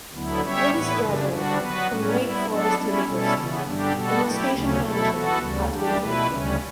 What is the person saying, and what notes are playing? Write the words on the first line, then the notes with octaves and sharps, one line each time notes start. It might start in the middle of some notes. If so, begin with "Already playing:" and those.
Willis graduated from Wake Forest University and was station manager at Wake Radio.
D2 D3 F#3 B3 E4
G3 C#4 G4 C#5 E5
A2 E3 B3 E4 B4
F#2 C#3 G3 D4
D3 G3 D4 F#4
F#3 B3 F#4 B4
A2 G3 C#4
G3 B3 E4
F#3 B3 D4 A4
G3 C#4 E4
B2 G3 C#4 E4 A4
C#3 E3 B3
G2 D3 G3 D4 G4
B2 G3 B3 F#4 A4
F#3 A3 E4 G4
D2 C#3 F#3 A3 C#4
B2 F#3 A3 E4 A4
E3 B3 F#4 A4
D2 C#3 G3
F#2 E3 G3 D4 G4
B2 A3 E4 B4
D2 C#3 G3 C#4